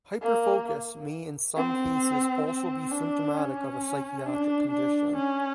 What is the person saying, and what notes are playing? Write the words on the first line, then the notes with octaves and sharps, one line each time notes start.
Hyperfocus may in some cases also be symptomatic of a psychiatric condition.
A#3
C4
C4
D4
C#4
D4
D4
C#4